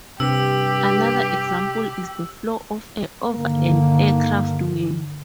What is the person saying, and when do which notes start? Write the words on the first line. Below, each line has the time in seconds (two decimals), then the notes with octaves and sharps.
Another example is the flow of air over an aircraft wing.
0.20 G2 C3 G4 E6
3.33 G2 D3 D#3 A#3